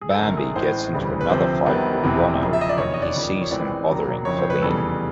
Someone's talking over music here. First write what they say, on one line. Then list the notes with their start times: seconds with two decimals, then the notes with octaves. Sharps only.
Bambi gets into another fight with Ronno when he sees him bothering Faline.
0.01 G#4
0.10 A4
0.19 G#1 F#2 D3 A#4
0.37 G#4
0.55 A1 A2 E3 G#3 C5
0.93 E1 D2 C#3 E3 G3
1.21 B4
1.30 D2 C3 F3 C5
1.66 F#2 D#3 G3 B3
2.03 E1 E2 C3 E3
2.41 F#1 F#2 C#3 F3
2.53 E5
2.61 D#5
2.69 D5
2.77 F1 E2 B2 C#5
2.94 D#5
3.02 D5
3.14 D#2 C#3 F3
3.41 C#5
3.51 A1 A2 E3 G#3 C4 D5
3.89 D#2 C#3 F#3 A#3
4.25 F#1 F2 C#3 F3 C#5
4.38 C5
4.50 B4
4.62 F1 E2 C#3 E3 G3 A4